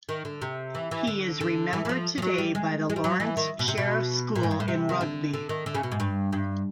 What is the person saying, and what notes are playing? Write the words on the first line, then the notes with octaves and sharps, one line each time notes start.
He is remembered today by the Lawrence Sheriff School in Rugby.
D#3
D3
C3
E3
E3
D3
D3
E3
E3
F3
F3
F#3
G3
G#3
G#3
G3
F#3
E3
D#3
B2
C3
B2
A#2
G#2
G2
A2
C3
D#3
D3
D3
D#3
D3
C#3
B2
G#2
G2
G2